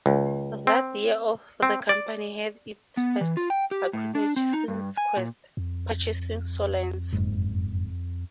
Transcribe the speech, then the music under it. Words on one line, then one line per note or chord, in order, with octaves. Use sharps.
That year the company had its first acquisition since Quest, purchasing Soliance.
C#2
C4
C4
D5
B3
E3
F4
G5
G4
A2
D4
C4
D#4
G2
G#5
A#2
F2
F#1 G#2